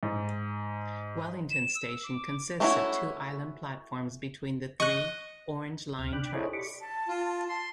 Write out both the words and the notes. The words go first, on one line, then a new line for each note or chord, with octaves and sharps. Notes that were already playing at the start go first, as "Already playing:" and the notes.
Wellington station consists of two island platforms between the three Orange Line tracks.
G#2
E7
E6
D6
A3 C#4 D4 E4 F#4
D#5 C#6 F#6
D2 B2 F6
C3 D4 G5 B5 D6 F#6
E4 G#4 A4 C5 C#5 D#5
G4 D5 B5 C#6 D6
A5
F4
A5
A5 C6